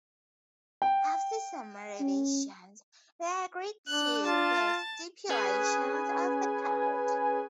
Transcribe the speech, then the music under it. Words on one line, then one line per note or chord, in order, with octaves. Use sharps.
After some revisions, they agreed to the stipulations of the Code.
G5
C#4
D4 F#6
F4 A5
C#4 G#4 B4 G#5